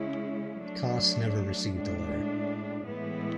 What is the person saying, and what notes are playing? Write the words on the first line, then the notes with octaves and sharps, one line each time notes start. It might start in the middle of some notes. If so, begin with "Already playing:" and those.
Kaas never received the letter.
Already playing: C#3 G#3 C#4 E4
F#3 A3 D4
A2 G#3 D4
A2 E3 G#3 B3 E4